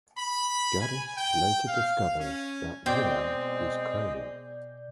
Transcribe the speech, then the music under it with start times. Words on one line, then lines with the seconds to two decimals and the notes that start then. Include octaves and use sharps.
Gaddis later discovers that Neame is Crane.
0.18 B5
0.81 G#5
1.17 G5
1.69 F5
2.19 C#4
2.86 B2 G#3 C4 D5 D#5 G5 G6